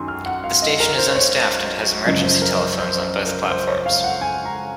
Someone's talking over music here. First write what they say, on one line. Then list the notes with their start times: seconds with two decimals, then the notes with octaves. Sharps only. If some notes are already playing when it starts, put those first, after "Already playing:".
The station is unstaffed and has emergency telephones on both platforms.
Already playing: F#2 D#3 F#3 G#5 C6
0.08 F6
0.26 F#5
0.44 F5
0.62 D#5
0.80 A#4
0.98 C5
1.15 C#5
2.06 F#2 C#3 F3 D#5
2.24 C5
2.42 A#4
2.60 C5
2.78 C5
3.25 A#4
3.50 C5
3.68 C#5
3.86 F5
4.04 F#5
4.21 G#5
4.45 A#5